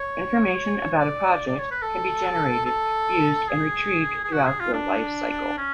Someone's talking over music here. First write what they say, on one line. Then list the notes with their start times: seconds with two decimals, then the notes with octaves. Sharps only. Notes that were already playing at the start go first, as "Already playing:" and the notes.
Information about a project can be generated, used and retrieved throughout the life cycle.
Already playing: C#5
0.99 D5
1.47 D5
1.59 C#5
1.71 B4
1.82 A4
2.65 A4
3.49 G#4
4.24 G#4
4.33 F#4
4.47 G#4
4.60 F4
4.73 D4
5.58 C#4